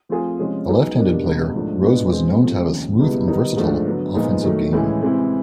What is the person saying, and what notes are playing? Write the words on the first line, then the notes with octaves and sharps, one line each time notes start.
A left-handed player, Rose was known to have a smooth and versatile offensive game.
F3 A3 C4 F4 G#4
C3 F3 G#3 C#4 F4
F#3 B3 D#4 G#4
B2 G3 A#3 D4 G4
C#2 B2 G3
G#2 F3 A3 D4
B2 G#3 B3 D4 F4
B2 G#3 C4
C3 F3 A3
D#2 C#3 F3
C#2 B2 G3 B3 E4
D#3 G3 B3 D#4
G#2 F3 A3 D4
D3 F#3 B3
A#2 F3 G#3 B3 D#4
D#3 F#3 A3
A2 E3 G#3 C#4 E4
C3 E3 G#3 C4 E4